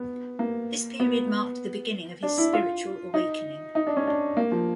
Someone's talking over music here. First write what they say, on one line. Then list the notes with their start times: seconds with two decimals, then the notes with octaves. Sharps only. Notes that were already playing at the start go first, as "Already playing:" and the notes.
This period marked the beginning of his spiritual awakening.
Already playing: B3
0.39 A#3
1.00 B3
2.23 D4
2.38 E4
2.53 F4
3.14 D#4
3.75 D#4
3.87 D4
3.97 C#4
4.07 D4
4.37 A#3
4.52 F3